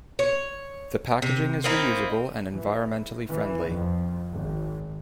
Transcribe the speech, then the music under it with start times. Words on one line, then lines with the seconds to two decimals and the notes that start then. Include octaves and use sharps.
The packaging is reusable and environmentally friendly.
0.19 C#5
1.22 C3
1.64 A#3 C4 D#4 E4
2.52 E3
3.29 E3
3.70 F2
4.32 G#1